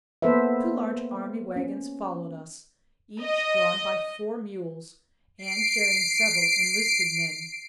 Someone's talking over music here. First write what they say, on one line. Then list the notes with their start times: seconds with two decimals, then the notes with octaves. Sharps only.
Two large army wagons followed us, each drawn by four mules, and carrying several enlisted men.
0.22 A#3 B3 A4 B4 C5 E5
1.56 C#4
3.22 D#5
5.38 C7 D7